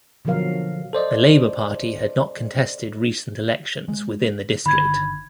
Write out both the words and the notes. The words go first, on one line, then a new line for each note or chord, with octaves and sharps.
The Labour Party had not contested recent elections within the district.
B2 D3 F3 F#3 A#4 F5
A4 C5 D5 D#5
G#3
G1 D3 D#3 B5 G#6